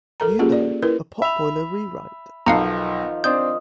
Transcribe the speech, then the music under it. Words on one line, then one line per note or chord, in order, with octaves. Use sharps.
You know, a potboiler rewrite.
A4 A#4 A#5
A#3 C#4 F4 G4 G#4
D5
E4 A#4 B4
E5 B5 F7
B1 D#3 F3 F5 F#5 A#5
C4 D4 D#5 D#6 G6